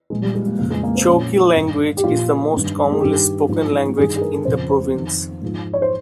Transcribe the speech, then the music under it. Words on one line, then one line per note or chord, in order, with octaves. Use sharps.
Chokwe language is the most commonly spoken language in the province.
A#2 F3 G#3
G3
G#3
A#3
F2 C#3 F3 A#3
G#3
A#3
C4
A#2 F3 C#4
G2 D#3
G4
A#2 F3 F4
G2 D#3
G#4
G2 D#3 G4
G#2 F3
G2 D#3 G#4
G#4
A#4
F2 C#3 F3 C5
C5
F2 D#3
G#2 F3
C#5
C5